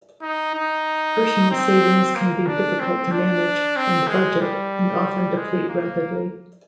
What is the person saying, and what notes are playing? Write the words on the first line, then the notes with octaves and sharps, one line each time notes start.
Personal savings can be difficult to manage and budget and often deplete rapidly.
D#4
D#4
C4
A#3
D4
C4
D4
C4
G#3
G3
G#3
A#3